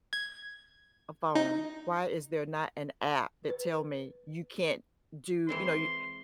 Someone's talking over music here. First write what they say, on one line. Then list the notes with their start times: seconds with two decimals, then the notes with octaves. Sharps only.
a phone. Why is there not an app that tell me, 'You can't do'" you know, y
0.13 G#6
1.35 D#4
3.50 B4
5.49 E3 G#3 C4 C6